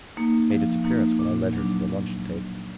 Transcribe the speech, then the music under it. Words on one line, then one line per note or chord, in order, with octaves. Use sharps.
It made its appearance when I led her to the luncheon table.
A#3 D#4
F3
A#3 D#4
A#2
F#3 D4
A#2
F#3 D4